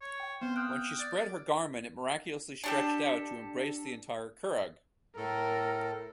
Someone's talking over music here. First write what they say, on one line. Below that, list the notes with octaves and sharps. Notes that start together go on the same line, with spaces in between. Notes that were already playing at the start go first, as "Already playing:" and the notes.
When she spread her garment it miraculously stretched out to embrace the entire Curragh.
C#5
G5
B3 C4 C5
G5 D#6 F6 F#6
D5
D4 G4 A4
A2 A4 A#4